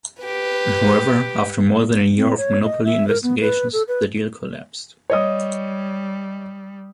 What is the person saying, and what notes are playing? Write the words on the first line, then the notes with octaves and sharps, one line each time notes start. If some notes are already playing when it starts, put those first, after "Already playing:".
However, after more than a year of monopoly investigations the deal collapsed.
G4 B4
C4
C#5
D#5
E5
A#4
B3
B4
A4
B4
G3 C#5 D#5 D#6